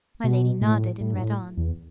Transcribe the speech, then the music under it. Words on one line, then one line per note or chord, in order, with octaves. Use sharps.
My Lady nodded, and read on.
B2
A2
A2
G2
A2
E2